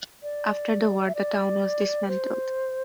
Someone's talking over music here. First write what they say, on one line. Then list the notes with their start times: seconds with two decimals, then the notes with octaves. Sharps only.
After the war, the town was dismantled.
0.23 D5
1.07 E5
1.15 D5
2.08 C5